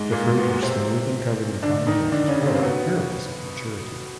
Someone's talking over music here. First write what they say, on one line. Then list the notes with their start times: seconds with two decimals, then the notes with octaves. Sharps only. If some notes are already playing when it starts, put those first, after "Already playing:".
The fruit are smooth and covered in fine hairs or hairless at maturity.
Already playing: G#2 G#3
0.12 A#2 A#3
0.37 B2 B3
0.62 C3 C4
1.63 D3 D4
1.87 D#3 D#4
2.12 D3 D4
2.28 C#3 C#4
2.45 C3 C4
2.55 A#3
2.63 B2 B3